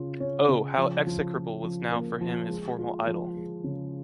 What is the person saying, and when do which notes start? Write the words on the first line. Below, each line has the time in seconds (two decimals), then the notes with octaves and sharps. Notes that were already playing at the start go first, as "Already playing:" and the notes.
Oh, how execrable was now for him his former idol!
Already playing: C#3 F4
0.20 C#4
0.49 C#3
0.78 F3
1.07 F3
1.35 F3
1.63 F3
1.92 A#3
2.21 F3
2.50 G#3
2.79 F4
3.07 F3
3.37 G#3
3.64 C#3